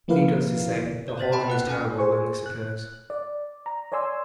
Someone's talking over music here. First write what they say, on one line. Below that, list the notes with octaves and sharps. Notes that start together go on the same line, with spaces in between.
Needless to say, the hauling is terrible when this occurs.
F3 A#3 E4 A#4 B4 F5
C#5 D5
C5 A6 B6
G5 A5 B5
B4 F#5 F#6
C#4 A4 G5 G#5 F6
G#4 C5 G#5 C#6
F#6
D5
A#5
C#5 D5 G#5 C6 E6